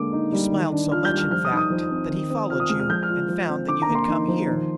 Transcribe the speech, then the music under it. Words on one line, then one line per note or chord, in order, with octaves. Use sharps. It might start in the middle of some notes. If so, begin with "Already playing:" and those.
You smiled so much, in fact, that he followed you and found that you had come here.
Already playing: D3 G#3 A#3 D6
D#4
G3
D#3
D4
F4 F6
G6
G3
F6
F3 F6
D#6
D#4
D#6
F3
C4
D#3
C4
F4 F6
D#6
G#3 F6
F6
F3 G6
F6
F4
F3
C4
D3 D6
A#5
A#3
C6
D#4
F3
D#3